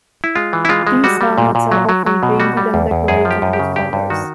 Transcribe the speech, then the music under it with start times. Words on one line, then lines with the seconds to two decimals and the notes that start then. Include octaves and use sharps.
These helmets are often painted and decorated with feathers.
0.24 E4
0.36 G#3 F4
0.53 E3
0.65 E4
0.69 G#3 F4
0.87 G#3
1.04 G3 F#4
1.21 G3
1.38 A#2
1.55 A#2
1.72 F#3
1.89 F#3
2.06 F#3
2.23 B2
2.40 G3 F#4
2.57 G3
2.74 E2
2.91 E2
3.08 F#2 G#4
3.25 F3
3.31 G4
3.42 F#2
3.53 G4
3.60 C#3
3.76 G2 G4
3.93 G2
4.10 D#3 F#4